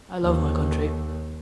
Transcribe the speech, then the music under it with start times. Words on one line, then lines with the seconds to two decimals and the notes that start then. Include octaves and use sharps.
I love my country.
0.23 D#2